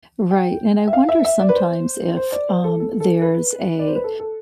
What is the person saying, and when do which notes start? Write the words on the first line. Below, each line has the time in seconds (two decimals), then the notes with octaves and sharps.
Right, and I wonder sometimes if, um, there's a
0.31 G5
0.87 E5
0.93 F5
1.09 E5
1.25 E5
1.40 D5
1.49 B4
1.56 C5
2.17 C5
2.32 D5
2.49 C5
2.64 A4
2.80 A4
3.00 A4
3.21 B4
3.79 D5
3.87 C5
3.95 B4
4.04 A4
4.19 A4